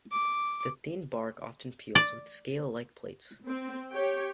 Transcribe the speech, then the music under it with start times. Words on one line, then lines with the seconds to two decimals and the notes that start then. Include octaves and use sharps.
The thin bark often peels with scale-like plates.
0.12 D6
1.95 D5
3.47 C4
3.93 G4 C#5 G5